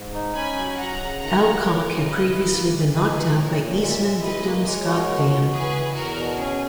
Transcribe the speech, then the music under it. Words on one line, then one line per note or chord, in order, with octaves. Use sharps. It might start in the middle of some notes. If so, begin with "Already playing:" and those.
Elcock had previously been knocked out by Eastman-victim Scott Dann.
Already playing: G#2
D#4
C#4 G#5 B5
F#3
F#3 F#5 A#5
C#3
D#3 F#5 A#5
A#3
E3 A#4 C#5
C#3
E4 B4 D#5
E4
A#3
A#2
D#4 G#4 B4
E3
A#2 A#4 C#5
A#2
G#3 C#5 E5
G#3
E4 B4 D#5
A#3
G#3 A#4 C#5
F#4
B2
F#4
E3 G#4 B4
E3
E2 F#4 A#4
B2
C#4 G#4